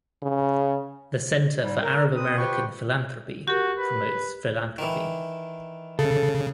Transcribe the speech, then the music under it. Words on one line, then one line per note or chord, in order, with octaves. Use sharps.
The Center for Arab-American Philanthropy promotes philanthropy.
C#3
G#2 G3
A#4
C4 B4 D#6
F4 G4 B4 C5 G5 C#6
F#4 G4 A#4
B4
D#3 E3
C#3 A4